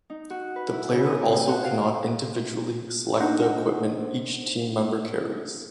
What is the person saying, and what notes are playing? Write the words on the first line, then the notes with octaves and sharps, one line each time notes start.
The player also cannot individually select the equipment each team member carries.
D#4
F#4
B4
E4
C#3
D#6
C3
F#4
F5
A#3 D4 D#4 C5 D#5 F#5